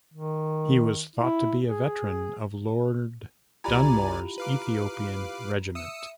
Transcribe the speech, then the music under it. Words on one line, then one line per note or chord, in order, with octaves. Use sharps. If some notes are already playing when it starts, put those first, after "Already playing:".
He was thought to be a veteran of Lord Dunmore's Ethiopian Regiment.
D#3
E4
G#4
C2 E4 F4 G4 D5 G#5 A#5 B5
B4 F5 D6
E5 D#6 E6 C#7